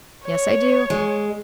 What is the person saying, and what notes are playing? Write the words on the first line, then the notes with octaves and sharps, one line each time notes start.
"Yes, I do."
C#5
G#3